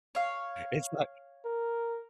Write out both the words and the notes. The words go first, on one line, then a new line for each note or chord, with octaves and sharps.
It's not
C#5 F5
A#4